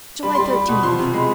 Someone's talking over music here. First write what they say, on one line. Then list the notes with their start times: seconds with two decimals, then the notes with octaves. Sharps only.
July Thirteenth.
0.23 G3 B5
0.35 G3 C6
0.45 B5
0.53 G3
0.68 B2 B5
0.83 F3 C6
0.99 C3
1.13 G#3 B5